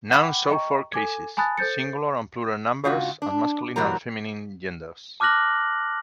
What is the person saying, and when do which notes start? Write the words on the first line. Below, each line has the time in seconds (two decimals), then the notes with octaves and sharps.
Nouns show four cases, singular and plural numbers, and masculine and feminine genders.
0.10 F#5 G5 B5 D6
0.50 D#5 G5 A#5 C#6
0.93 A4 G#5 D6 G#6
1.37 G#5 A5 B5 D#6 F#6 A6
1.57 A4 C5 G6 A6 C#7
2.84 G#2 C#3 F4 F#4
3.22 D4
3.76 A#2 E3 F#3 G3 A#4 A#5
5.20 A5 D6 F6 F#6 A#6 F#7